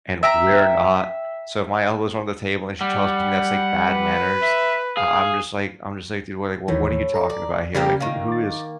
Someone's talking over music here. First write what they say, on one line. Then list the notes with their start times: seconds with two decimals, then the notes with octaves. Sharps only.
and we're not. So if my elbows are on the table, and she tells me that's, like, bad manners, I I'm just like I'm just like, "Dude, what, like what what are you talking about here? Like, who who is
0.23 E5 G5 A#5
2.81 G3 F#5
3.89 B4
4.42 E5
4.97 G#4 F5
6.68 D#2 A2 D#3 E3
7.14 A4 A#5
7.30 D5
7.75 C#3 G3 A#3 G4
8.00 D#3 A#3
8.28 D6 A6